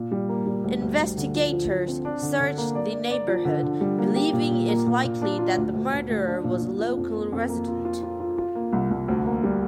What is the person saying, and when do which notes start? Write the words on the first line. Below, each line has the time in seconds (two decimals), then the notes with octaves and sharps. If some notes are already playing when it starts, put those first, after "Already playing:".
Investigators searched the neighborhood, believing it likely that the murderer was a local resident.
Already playing: A#2
0.11 G3
0.29 A#3
0.47 G3
0.64 D2
0.82 D2
0.99 D2
1.17 D3
1.34 F3
1.52 F3
1.70 F3
1.87 C4
2.05 D4
2.22 D3
2.40 D3
2.58 A#3
2.75 D5
2.93 D5
3.11 D5
3.28 F3
3.45 D3
3.63 D3
3.81 G3
3.98 A#3
4.16 G4
4.33 A#2
4.51 A#2
4.68 A#3
4.86 A#2
5.04 A#2
5.22 D4
5.39 F4
5.57 D2
5.74 D2
5.92 D2
6.09 D2
6.27 D4
6.44 A#2
6.62 A#2
6.80 F3
6.97 F2
7.14 A#3
7.32 F2
7.49 A#3
7.68 F4
7.85 F4
8.03 F4
8.20 F4
8.38 F4
8.55 A#3
8.73 C2
8.91 C2
9.08 D2
9.26 A#3
9.43 G3